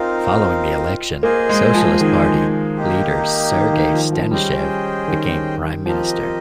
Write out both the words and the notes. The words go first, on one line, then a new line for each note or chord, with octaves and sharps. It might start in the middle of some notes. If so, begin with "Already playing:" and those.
Following the election, Socialist Party leader Sergei Stanishev became Prime Minister.
Already playing: C4 D#4 F4 A#4 F5
A#3 G#4 C5 D#5 G#5
G#3
F3
D#3
A#3 D#4 G4
D#3
D#3
F3
F3
G3 C#4 G#4 C5 D#5 G5
D#3
F3 C4 G4 A#4 D#5